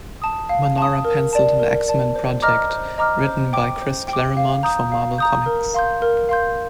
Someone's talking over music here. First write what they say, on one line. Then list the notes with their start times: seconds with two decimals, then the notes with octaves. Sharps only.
Manara penciled an "X-Men" project written by Chris Claremont for Marvel Comics.
0.22 A5 D#6
0.49 F5
0.78 A5 D#6
1.05 A#4
1.33 D5 A5
1.59 A#4
1.88 D5 A5
2.16 C5
2.42 D#5 A#5 D6 F6
2.70 C5
2.98 D#5 A#5 D6 F6
3.26 C5
3.53 G5 D6
3.81 C5
4.08 G5
4.13 D6
4.37 F5
4.63 A#5 D#6 G6
4.92 F5
5.18 A#5 D#6 G6
5.46 A#4
5.74 F5 C6 G6
6.02 A#4
6.29 F5 C6 G6